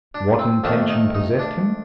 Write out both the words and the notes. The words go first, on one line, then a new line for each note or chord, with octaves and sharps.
What intention possessed him?
D4
C4
F2 D#3 A3 D4
D#4
D#4
D4